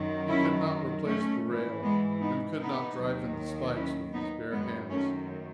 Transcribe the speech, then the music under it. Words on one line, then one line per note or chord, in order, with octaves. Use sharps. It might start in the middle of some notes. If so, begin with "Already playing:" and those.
He could not replace the rail and could not drive in the spikes with his bare hands.
Already playing: F#2 D#3 F#3
C#4 E4
A3 C#4
G#2 E3
G#3 B3
B3 D#4
B3 D#4
D#2 D#3 F#3
C#4 E4
B3 D#4
F#2 D#3 F#3 G#3 B3
A3 C#4